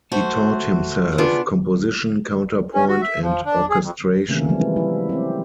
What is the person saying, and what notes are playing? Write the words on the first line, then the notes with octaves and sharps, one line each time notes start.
He taught himself composition, counterpoint and orchestration.
A3 F#4 C5
C#3 B3 D4 F4
C#4
F#4
E5
F3
D4
G#4
F2
C3 D#3 E3 A3 A#3 C#4
E3 F3 G3 G#3 A#3
F#3 E4
C4 G4